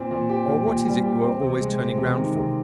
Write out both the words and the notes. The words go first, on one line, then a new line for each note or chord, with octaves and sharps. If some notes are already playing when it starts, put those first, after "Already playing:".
'Or what is it you are always turning round for?'
Already playing: A#2 C4
A#2
G4
A#2
A#2
G3
G4
C4
C3
G#3
C4
C3
D#3
C3